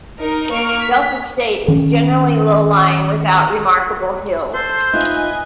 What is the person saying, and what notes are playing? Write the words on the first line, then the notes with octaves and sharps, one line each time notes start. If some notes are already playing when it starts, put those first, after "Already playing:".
Delta State is generally low-lying without remarkable hills.
D#4 A#4
A#3 C#6 F6 D7
B6
D#3 C#4
A4 C5 C6
D#4 F4 B4 D#5 E5 G#5